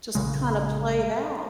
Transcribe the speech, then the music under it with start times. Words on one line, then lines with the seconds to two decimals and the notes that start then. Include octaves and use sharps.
Just kinda play it out.
0.15 A#1 C#3 G#3